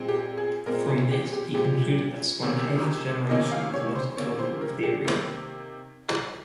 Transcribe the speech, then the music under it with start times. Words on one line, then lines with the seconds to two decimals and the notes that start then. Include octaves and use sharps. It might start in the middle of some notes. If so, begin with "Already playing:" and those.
From this he concluded that spontaneous generation is not a plausible theory.
Already playing: A#2 G#3 C4
0.08 G4
0.37 G#4
0.66 A#2 G#3 C4 A#4
0.89 G#4
1.11 G4
1.32 G4
1.54 A#2 G#3 C4 G4
2.42 C3 D#3 A#3 C#4
3.29 C3 D#3 A#3 C#4 D#5
3.51 F5
3.74 C#5
3.95 C5
4.17 C3 D#3 A#3 C#4 C#5
4.39 C5
4.61 A#4
4.83 G4
5.05 C3 D#3 A#3